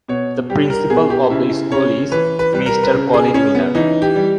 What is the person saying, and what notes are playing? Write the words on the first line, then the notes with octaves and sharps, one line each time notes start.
The principal of the school is Mister Colin Millar.
B2 C#5
G3 G4
A#4
B2 G#4
G4
C#3 E4
C#3 C#5
E3 B4
B4
G3 B4
A#4
B4
C#3 A#4
G#4
C#3 C#4
B3
E3 D#4
G4
G3